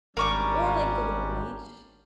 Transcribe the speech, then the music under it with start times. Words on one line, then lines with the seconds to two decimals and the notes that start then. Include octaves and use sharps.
or, like, go to the beach.
0.17 G#1 G3 C#4 D4 A#4 C#6 D6